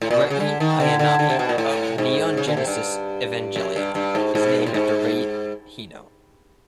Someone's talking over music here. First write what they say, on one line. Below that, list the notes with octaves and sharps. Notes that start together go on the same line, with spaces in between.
Rei Ayanami of "Neon Genesis Evangelion" is named after Rei Hino.
A2
A#2
B2
C#3
D3
D#3
D3
D3
D3
C3
B2
A#2
A2
G#2
C#3
D3
C3
G2
F#2
G2
G2
G#2
G#2
A2
G#2